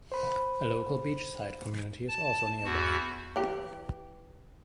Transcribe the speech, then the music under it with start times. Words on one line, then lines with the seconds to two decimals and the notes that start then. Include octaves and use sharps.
A local beachside community is also nearby.
0.12 C5 B5
2.08 A5
2.65 E2 F#4
3.36 E3 G4